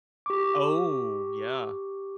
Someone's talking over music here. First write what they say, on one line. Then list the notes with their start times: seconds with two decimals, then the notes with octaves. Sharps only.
Oh, yeah.
0.26 G4 C#6 D6